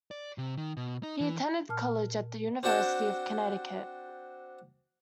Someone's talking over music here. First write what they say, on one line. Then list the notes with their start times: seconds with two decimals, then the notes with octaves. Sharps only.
He attended college at the University of Connecticut.
0.11 D5
0.38 C3
0.58 D#3
0.77 B2
1.03 D#4
1.20 E3
1.69 A#2 A5 F6
2.63 C4 D4 F#4 G5 A5